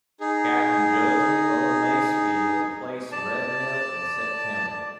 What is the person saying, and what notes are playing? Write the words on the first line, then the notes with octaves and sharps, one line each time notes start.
Captain Joseph O. Masefield replaced Redmill in September.
D#4 G#4
D5 A5